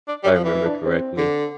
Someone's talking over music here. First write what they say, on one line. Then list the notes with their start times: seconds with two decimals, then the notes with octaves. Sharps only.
I remember correctly.
0.08 D4
0.24 G3
0.35 F3
0.44 E3
0.55 E4
0.66 D4
0.86 C4
1.17 D3